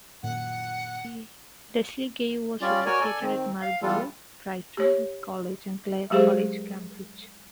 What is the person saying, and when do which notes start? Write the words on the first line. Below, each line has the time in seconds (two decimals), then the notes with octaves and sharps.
Leslie Gay was educated at Marlborough, Brighton College and Clare College, Cambridge.
0.23 F#2 A#2 D#3 F#5
2.61 G3 C#4 F4 D5
2.86 F#4 A#4 C#5 D5 G#5
3.01 A4 D5 G#5
3.21 D#3 C4
3.62 F5
3.82 E3 G3 B3 F4 A4
4.77 G4 C#5
6.10 F#3 G#3 G4 G#4 C5